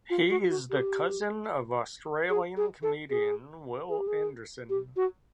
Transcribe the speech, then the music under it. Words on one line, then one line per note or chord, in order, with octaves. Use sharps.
He is the cousin of Australian comedian Wil Anderson.
F4
F#4
F#4
G4
G#4
G#4
A4
G#4
G#4
G4
G#4
G4
F#4